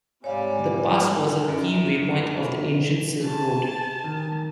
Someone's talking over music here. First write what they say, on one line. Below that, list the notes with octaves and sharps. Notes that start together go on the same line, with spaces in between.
The pass was a key waypoint of the ancient Silk Road.
G#2 C3 G3 C#5 D5 F5 G#5
F#2
G#5 A5
D#3